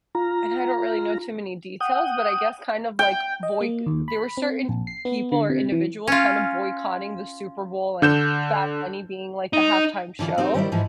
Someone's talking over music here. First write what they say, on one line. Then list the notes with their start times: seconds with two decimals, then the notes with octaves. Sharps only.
and I don't really know too many details, but I guess kind of like boyc there were certain people or individuals kind of boycotting the Super Bowl and Bad Bunny being, like, the halftime show.
0.15 F4 A#5
1.81 F#5 G5 D#6
2.99 G5
3.43 D#5
3.61 A#3
3.86 D#2
4.08 B5
4.37 C4
4.69 A#1
4.87 C7
5.05 B3
5.32 D3
5.50 C3
5.72 E3
6.07 C#4 F4
8.02 D3 G6 E7
9.53 D#4
10.19 D3 E3 D4 F4
10.38 C4 D#4 G4 A#4
10.54 D#3 G3 E4 C5 D5
10.72 G#2 E3 F3 E4